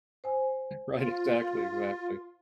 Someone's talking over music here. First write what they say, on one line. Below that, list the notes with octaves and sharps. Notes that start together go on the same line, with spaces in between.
Right, exactly, exactly.
C5 G#5
F4